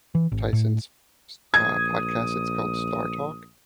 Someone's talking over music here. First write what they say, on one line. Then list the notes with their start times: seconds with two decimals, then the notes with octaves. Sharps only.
Tyson's s uh, podcast, it's called "Star Talk"
0.15 E3
0.32 G#1
0.53 A2
1.54 A#1 D#6 G#6